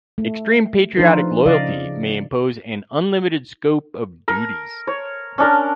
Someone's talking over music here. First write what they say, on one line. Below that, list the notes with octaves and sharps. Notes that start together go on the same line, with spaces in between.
Extreme patriotic loyalty may impose an unlimited scope of duties.
A3
F3 D4 D#4 F4 A4 B4
C#3 D5 D#5 F5
A#4
C#5
C#4 D4 A#4